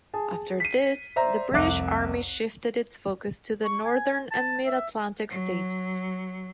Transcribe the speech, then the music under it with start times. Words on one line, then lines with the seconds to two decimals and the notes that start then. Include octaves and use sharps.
After this, the British Army shifted its focus to the Northern and Mid-Atlantic states.
0.14 G#4 A5
0.60 B6 C7 D#7
1.16 C5 D5 E5 A#5
1.53 F1 C2 E5 D6 F#6
3.64 C#6
3.85 G#5
4.31 A5
4.66 E5
5.30 F#3